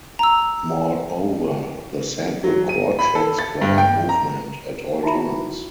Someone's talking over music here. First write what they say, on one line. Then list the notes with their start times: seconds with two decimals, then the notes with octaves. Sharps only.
Moreover, the central core tracks player movement at all times.
0.19 A#5 E6
2.44 F#3
2.69 D#7
2.99 B5
3.15 A4
3.39 A6
3.61 G2
3.78 G5
4.09 A#5
5.03 D#4 E4 F#4 E5 A#5 B5